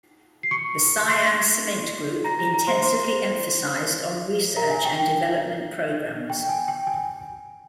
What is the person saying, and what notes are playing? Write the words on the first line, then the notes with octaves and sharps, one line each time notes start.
The Siam Cement Group intensively emphasized on research and development programs.
C7
C#6 C#7
C6 C7
A#5 A#6
A#5 A#6
A#5 A#6
C5 C6
C5 C6
A#4 A#5
G#5
G5
G5
G5
G#5
G5
G#5